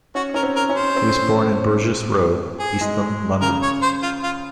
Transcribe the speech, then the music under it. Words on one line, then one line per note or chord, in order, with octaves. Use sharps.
He was born in Burges Road, East Ham, London.
C#4 F#4
C#4 A#4
C4
A#4
C#4
C5
C4
G#4
G#3
G#3
C#3 A#4
C#5
C5
F4
F4